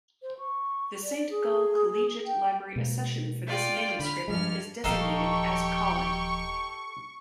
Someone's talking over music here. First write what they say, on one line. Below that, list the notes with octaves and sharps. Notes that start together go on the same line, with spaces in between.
The Saint Gall Collegiate Library Accession for this manuscript is designated as Cod.
C5
C#6
D5
G#4
G5
B2 G#3 A#3
F4 D5 G5
D3 B5 F6
G2 F3 G#3 F6
D#1 F3 D#4 G4 A4 F5 C#6